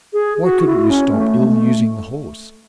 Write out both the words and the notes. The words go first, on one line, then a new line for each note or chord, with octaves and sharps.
Why couldn't you stop ill-using the horse?
G#4
F#4
E4
C#4
A3
G#3
A3